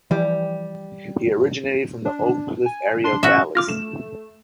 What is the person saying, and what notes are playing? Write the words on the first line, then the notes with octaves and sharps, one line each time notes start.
He originated from the Oak Cliff area of Dallas.
E3 F3 G3
D4
G#5
D4 C6 C7
C#4 F#4 E5
F4 D6 F6 A#6
A3 E7